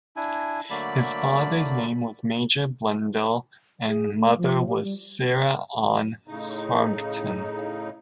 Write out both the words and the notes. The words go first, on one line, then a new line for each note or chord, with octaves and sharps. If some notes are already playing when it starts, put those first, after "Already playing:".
His father's name was Major Blundell and mother was Sarah Ann Haighton.
D4 E4 G#5
D3 F#3 A3 A#3 D5 B5
G#4
A3
F3
G4
G3
A2 C#3 D#4